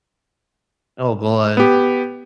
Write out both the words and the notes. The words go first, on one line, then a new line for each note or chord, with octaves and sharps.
Oh, god.
B3 G4